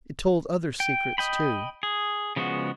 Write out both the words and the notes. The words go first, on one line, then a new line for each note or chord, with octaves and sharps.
It told other secrets too.
G5
D#5 G5 B5
G#4
C#3 F3 G#3 B3 F#4